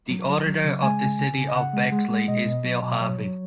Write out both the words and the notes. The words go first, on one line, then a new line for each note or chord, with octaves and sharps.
The Auditor of the City of Bexley is Bill Harvey.
F#3
F#3
F#3
C#3
G#3 G#5
C#3
C#3
C#3
D#5
C#3 F#5
G#3
G#3
G#3
B2 D#5
B2
F#3
B2
F#3 C#5
F#3